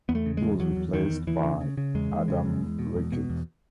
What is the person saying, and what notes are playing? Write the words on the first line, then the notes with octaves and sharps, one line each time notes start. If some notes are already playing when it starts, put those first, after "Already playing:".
He was replaced by Adam Rickitt.
E2 B3
A3
C#3
G#3
E2
E2 F#3
E2
E2 D#3
E2
E2 E3
C#3
C#3
C#3
E2 G#3
E2
C#3
E2
E2
B2
E2
B2
E2